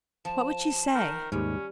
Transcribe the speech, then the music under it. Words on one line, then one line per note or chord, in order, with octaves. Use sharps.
What would she say?
F3 A5
D#3
D#2 G#2 G3 C#4